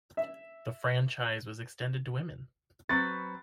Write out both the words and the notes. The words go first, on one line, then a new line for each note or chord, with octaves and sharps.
The franchise was extended to women.
E5
F#3 C4 B4 C#6 F#6 A6